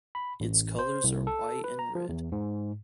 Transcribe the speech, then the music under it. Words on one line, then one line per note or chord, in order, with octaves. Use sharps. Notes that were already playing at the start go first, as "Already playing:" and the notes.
Its colors are white and red.
B5
A1
C5
C2
A4
B4
A#5
F3
E2
G#2